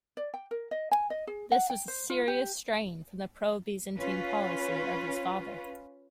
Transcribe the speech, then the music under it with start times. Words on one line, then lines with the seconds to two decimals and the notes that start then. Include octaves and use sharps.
This was a serious straying from the pro-Byzantine policy of his father.
0.17 D5
0.34 G5
0.51 A#4
0.71 D#5
0.91 G#5
1.10 D#5
1.27 G#4
1.52 F#5
1.70 G5
1.88 C5
2.10 F4
2.28 G4
3.96 C#4 F4 B4